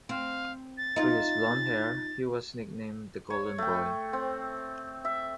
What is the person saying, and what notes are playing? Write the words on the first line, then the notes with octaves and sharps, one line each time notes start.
With his blonde hair, he was nicknamed "The Golden Boy".
C4 F5
A6
D#4 F4
C#5
A3 G5
C4
E5